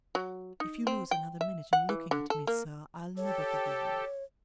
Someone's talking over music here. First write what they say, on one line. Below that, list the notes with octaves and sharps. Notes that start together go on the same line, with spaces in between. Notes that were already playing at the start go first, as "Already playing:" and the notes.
If you lose another minute in looking at me, sir, I'll never forgive you!'
F#3
D#4
C4
G5
E5
F#5
E3
D3
A4
A#3
G4 A4 C#5